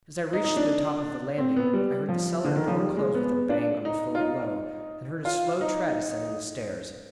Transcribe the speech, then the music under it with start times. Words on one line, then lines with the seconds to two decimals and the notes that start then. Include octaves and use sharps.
As I reached the top of the landing, I heard the cellar door close with a bang on the floor below, and heard a slow tread ascending the stairs.
0.33 D#4
0.45 D#4
0.57 D4
1.38 C4
1.56 B3
1.73 G3
2.09 F3
2.45 D3
2.56 D#3
2.68 F3
2.80 G3
2.97 G#3
3.15 B3
3.50 D4
3.85 D#4
4.15 F4
4.21 D#4
5.25 F4
5.61 D#4